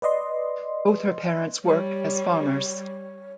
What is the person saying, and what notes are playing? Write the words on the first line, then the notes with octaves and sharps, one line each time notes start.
Both her parents work as farmers.
B4 D5 D#5 C6
G3 C#5